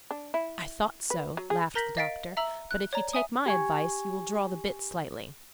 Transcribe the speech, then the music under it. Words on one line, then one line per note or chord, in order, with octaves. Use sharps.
"I thought so," laughed the doctor; "but if you take my advice, you will draw the bit slightly."
D4
E4
B4
F#3
G#4
A#4 A#5 G6 A#6 B6 F#7
D#5 F5 A6 B6 D7
E5 A#5 E6 F#7
F#6
C#5 D5 A#5
E5 G#5 D#6
G4 G#5 C#6